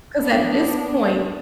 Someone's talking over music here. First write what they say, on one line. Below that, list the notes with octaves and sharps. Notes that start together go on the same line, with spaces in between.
'cause at this point
B3 D4